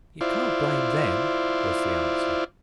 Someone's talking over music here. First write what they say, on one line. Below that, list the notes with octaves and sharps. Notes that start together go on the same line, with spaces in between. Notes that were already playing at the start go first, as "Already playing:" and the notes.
"You can't blame them," was the answer.
E4 F4 C5 D5